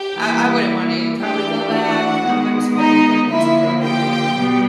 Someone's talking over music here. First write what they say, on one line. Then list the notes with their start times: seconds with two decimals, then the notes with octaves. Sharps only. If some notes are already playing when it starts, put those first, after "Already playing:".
I I wouldn't wanna probably go back. Uh, I was fortunate to go, um,
Already playing: G4 G5
0.16 E3 G3 A#3
1.20 E3 A3 D4 G4 G5
1.73 F#4 F#5
2.26 D#3 G#3 B3
2.77 D#4 D#5
3.30 D3 F3 A#3 E4 E5
3.83 G4 G5
4.35 B2 G3 B3